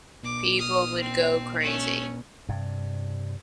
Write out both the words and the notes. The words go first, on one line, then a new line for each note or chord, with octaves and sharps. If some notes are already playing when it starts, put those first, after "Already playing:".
People would go crazy.
D6
D#6 F6
C4
A3 C#4
G2 C3